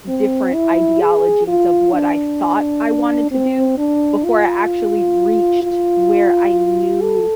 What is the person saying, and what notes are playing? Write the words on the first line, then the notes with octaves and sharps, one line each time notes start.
different ideologies of what I thought I wanted to do before I actually reached where I knew
C4
E4
G#4
F4
D4
C4
D4
F4
F4
A4